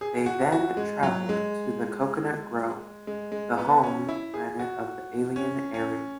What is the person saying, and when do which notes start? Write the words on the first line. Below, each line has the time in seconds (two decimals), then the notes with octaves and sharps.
They then traveled to the "Coconut Grove", the home planet of the alien Ariel.
0.01 G#4
0.26 F#4
0.52 F#4
0.77 G#3
1.03 F#3
1.29 G#3
3.07 G#3
3.32 G#3
3.58 B3
3.83 C#4
4.09 E4
4.34 G#4
4.59 F#4
5.36 C#4
5.74 C#4